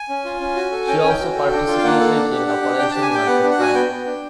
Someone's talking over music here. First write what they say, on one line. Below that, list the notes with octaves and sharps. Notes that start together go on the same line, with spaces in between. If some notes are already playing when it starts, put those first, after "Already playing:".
She also participated in Operation Market Time.
Already playing: G#5
C#4
F4
C#4
F#4
A4
C#4 G5
G#5
C#4
G5
F#4
A4
D4
F4
F5
A#3 F#5
A4
D4
G4
G4
D4
D4 G5
G4 A5
G#5
G4 G5
B3 F#5
D4
F#5
F#4 G#5
B3 G5
B3
D4